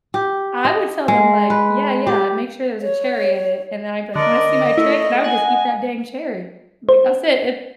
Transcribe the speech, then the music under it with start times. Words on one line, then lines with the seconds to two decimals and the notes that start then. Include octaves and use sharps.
I would tell them, like, "Yeah, yeah, make sure there's a cherry in it," and then I'd be like, "You wanna see my trick," and I would just eat that dang cherry, like, "That's it, it
0.14 G4
0.65 D#5
1.08 G#3
1.50 B4
2.07 G4
2.82 C#5
4.15 D3 A#4 D5 D#5
4.77 A3 E4
5.24 F#5 G#5
6.89 C5